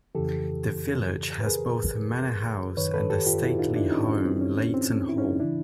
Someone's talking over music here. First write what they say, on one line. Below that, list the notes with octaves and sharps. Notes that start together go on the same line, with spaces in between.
The village has both a manor house and a stately home Leighton Hall.
F2 C#3 E3 G4 A4
B4
G#4 A#4
F#2 D#3 B4 C#5
A4 B4
G4 A4
F4 G4
E4 F#4
D#4 F4
D4 E4
C#4 D#4
C#4
C4
C#4
C#4
C4
C#4
E4
C#4 D#4
C#3 E3 D4 E4